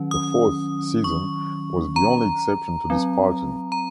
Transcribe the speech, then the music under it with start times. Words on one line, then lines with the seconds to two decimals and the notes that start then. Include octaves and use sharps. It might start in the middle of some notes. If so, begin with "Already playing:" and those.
The fourth season was the only exception to this pattern.
Already playing: D#3 F#3 C#4
0.11 D#6
1.04 C#6
1.96 A#5
2.90 F#3 C4
3.72 A#5